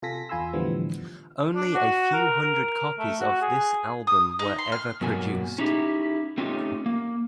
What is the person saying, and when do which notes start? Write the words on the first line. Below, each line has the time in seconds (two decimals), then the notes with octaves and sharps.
Only a few hundred copies of this album were ever produced.
0.02 C3 F4 A4 G#5 A#6 B6
0.29 E2 F4 G#5 B5 C6 E6
0.53 A2 D3 E3 F3 G3 B3
1.56 D4
1.75 F#4
2.13 A#4
2.42 A#4
2.99 A3
3.20 F#4
3.42 G#4
4.07 D#6
4.39 D#4
4.58 C6
4.72 F6
5.01 G2 B2 F#3 A#3 G#5
5.58 C#4 D#4 E4 G4
6.38 A3 C4 C#4 D#4 F4 G4
6.86 A#3